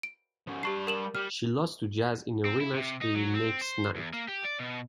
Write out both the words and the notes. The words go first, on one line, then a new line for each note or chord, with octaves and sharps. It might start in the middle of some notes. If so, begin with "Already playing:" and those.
She lost to Jazz in a rematch the next night.
D7
F3 C#4
G3 G4 A5 C#6 C7
A#4 E7 F#7
G3 F6
C4
E4
C3
D#4
F#3
C4
C5
E2
A#3
G4
D5
B2